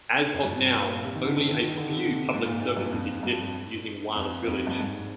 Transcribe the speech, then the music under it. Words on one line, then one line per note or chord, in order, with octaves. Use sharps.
As of now, only a few public services exist using Wireless Village.
F2
G2
A#2
A#2
C3
D#3
D3
D3
D#3
D#3
D3
C3
D3
G#2
A#2
A#2
G2
F2
G2
F2
F2
G2
G#2